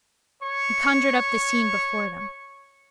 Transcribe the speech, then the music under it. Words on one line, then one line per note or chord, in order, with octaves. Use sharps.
He conjured up the scene before them.
C#5 C#6